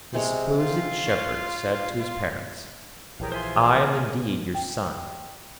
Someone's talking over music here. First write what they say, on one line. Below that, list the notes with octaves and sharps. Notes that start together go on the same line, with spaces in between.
The supposed Shepherd said to his parents, 'I am indeed your son.
C3 G#3 C#5
F4
C#5 F5
F4
F4
A#1 E3 G4 G#4 A#4 C#5 F5
F4 C5 E5 G#5 C6
A#3 A#4 D#5 F5 G#5
G5